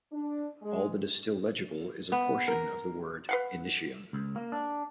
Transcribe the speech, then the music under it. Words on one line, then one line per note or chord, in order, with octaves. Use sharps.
All that is still legible is a portion of the word "Initium".
D4
G#3
B3
A#4
B4 F5 F#5
C#2
A#3
D4